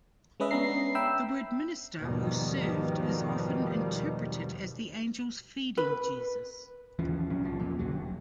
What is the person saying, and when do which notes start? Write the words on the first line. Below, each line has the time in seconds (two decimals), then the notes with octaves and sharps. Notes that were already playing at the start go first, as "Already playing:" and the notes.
The word "minister" or "served" is often interpreted as the angels feeding Jesus.
0.40 G#3 C#4 B4 D#5 E5
0.51 B3 C#4 D4 A#5 C7
0.95 E5 G5 B5 E6
1.99 E2 G#2 B2 D#3 F3 G3
5.77 B4
6.99 D#2 E3 F3 C#4
7.30 A#2 F#3 C#4
7.44 C2 F3
7.59 E2 A#2
7.79 B1 F2 D3 F#3
7.91 F1